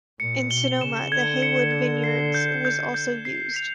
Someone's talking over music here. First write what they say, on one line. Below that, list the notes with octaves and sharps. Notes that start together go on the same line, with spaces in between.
In Sonoma, the Haywood Vineyards was also used.
A#2 C#7
B2 G7
C#3 E7
D3 G#6
C#7
G#6
C7
G6
G6
G6
C7
F7